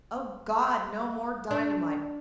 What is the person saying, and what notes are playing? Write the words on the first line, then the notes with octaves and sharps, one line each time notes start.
O God! no more dynamite!
D4